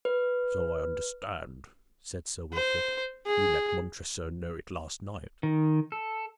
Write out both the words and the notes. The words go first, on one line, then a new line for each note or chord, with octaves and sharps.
"So I understand," said Sir Wilfrid; "you let Montresor know it last night."
B4
C5
G#4
D#3
A4